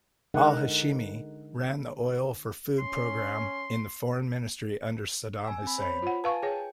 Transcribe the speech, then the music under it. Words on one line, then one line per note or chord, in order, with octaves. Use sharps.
Al-Hashimi ran the oil for food programme in the Foreign Ministry under Saddam Hussein.
D3 G#3 D#4 A#4 F#5
C#4 C6
G#5 E6
C4 B5
C5 C#5 B5
F4 F#5
B4 F5 G#5 A5 C#6
G#4 C#5 G5